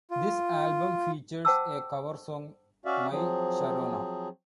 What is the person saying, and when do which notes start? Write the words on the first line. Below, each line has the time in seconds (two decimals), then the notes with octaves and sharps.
This album features a cover song My Sharona.
0.11 F4
1.45 C5 F#5 G5 A5 D6 E6
2.86 C#4 F#4 D5 E5 F5
3.10 F3 F#3 C4 G#4